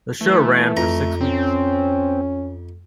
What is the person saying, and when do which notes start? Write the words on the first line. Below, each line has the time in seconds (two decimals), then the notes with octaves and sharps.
The show ran for six weeks.
0.21 E3 A3
0.77 F2 A#5
1.21 C4 C#4